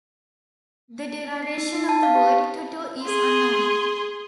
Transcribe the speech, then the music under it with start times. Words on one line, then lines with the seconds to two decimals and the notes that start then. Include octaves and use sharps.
The derivation of the word "tutu" is unknown.
1.43 C7
1.58 D#4
1.75 D#4
1.89 A5
2.03 F5
2.15 G4
2.27 G4
3.02 G#4 C6